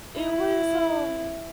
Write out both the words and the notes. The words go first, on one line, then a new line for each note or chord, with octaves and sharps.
It was, um
E4